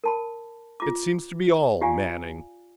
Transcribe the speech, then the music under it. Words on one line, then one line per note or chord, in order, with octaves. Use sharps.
"It seems to be all Manning!"
A#4 A5 B5
F4 D6
F4 G4 D5 F5 G#5